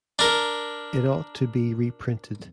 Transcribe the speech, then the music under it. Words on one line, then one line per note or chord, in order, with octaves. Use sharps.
It ought to be reprinted.
D4 A#4